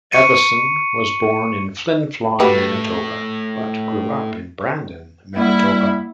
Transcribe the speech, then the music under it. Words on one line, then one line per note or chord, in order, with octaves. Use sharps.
Evason was born in Flin Flon, Manitoba, but grew up in Brandon, Manitoba.
C#6 C#7 D#7
A2 F#4 G4 B4
G3 A#3 E4 F#5